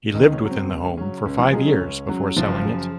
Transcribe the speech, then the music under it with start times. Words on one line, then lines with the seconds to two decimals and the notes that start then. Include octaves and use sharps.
He lived within the home for five years before selling it.
0.14 C#2 D#3 D#4
0.32 C#4
0.42 C#3 F#3
0.51 C4
0.69 C#2
0.97 C#3 F#3 C#4
1.25 C#2 C#4
1.39 F3 F4
1.53 C#3 F#3 G#3 G#4
1.67 C#4
1.81 C#2
2.08 C#3 F#3
2.37 F#1 F3 F4
2.64 F#2 C#3